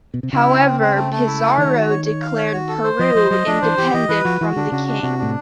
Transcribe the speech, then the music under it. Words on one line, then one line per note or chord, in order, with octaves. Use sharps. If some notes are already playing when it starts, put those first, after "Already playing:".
However, Pizarro declared Peru independent from the King.
B2
C3
C#3 E4
C4
C4
C4
A3
A3
E4
A3
D#3 C#5
F#4
C#5
C#5
F5
C#5
F#4
A4
C5
F3 D#5
F3 C5
F#3 D#5
F3 D4
E3 C5
E3 G4
E3 D#5
E3 B4
F3 F#4
E3 F#4
D3 D4
C#3 F#4
D4
C3 F#4
A2 D4